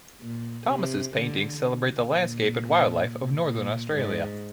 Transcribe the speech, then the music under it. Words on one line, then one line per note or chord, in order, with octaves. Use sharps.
Thomas's paintings celebrate the landscape and wildlife of Northern Australia.
A#2
C3
D3
A#2
A#2
G#2